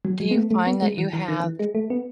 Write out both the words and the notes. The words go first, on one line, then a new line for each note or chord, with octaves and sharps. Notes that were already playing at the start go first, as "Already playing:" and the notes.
Do you find that you have
F#3
F#3
B3
A3
A3
B3
G#3
E3
E3
D#3
E3
G#3
A3
B3